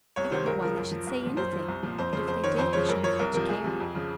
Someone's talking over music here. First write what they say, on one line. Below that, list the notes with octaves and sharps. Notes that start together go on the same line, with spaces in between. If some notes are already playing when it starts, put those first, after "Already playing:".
"I don't know why they should say anything, but if they did I shouldn't much care."
C2 C#5
C3 D#3 C5
C#2 A#4
C#3 F3 A#4
F#2
F3
C2
A#2 F3
F#2 C5
F3
C2
A#2 F3
F2 C5
C#3 F3 C5
F2 C5
D#3 C#5
F2 C5
C#3 F3 C#5
F#2 A#4
F3 C#5
C2 A#4
C3 F3 A#4
C2 G#4
C3 F3
F2
C#3 F3